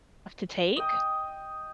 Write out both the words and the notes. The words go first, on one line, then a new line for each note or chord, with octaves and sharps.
to take.
D#5 G5